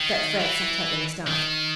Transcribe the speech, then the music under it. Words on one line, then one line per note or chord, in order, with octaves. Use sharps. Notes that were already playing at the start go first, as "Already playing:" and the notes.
Dutch Fred sat up with a start.
Already playing: D#3
E3
D#3